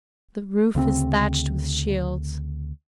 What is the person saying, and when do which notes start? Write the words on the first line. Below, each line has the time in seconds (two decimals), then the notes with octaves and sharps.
The roof is thatched with shields.
0.75 D2 C#3 B3 C4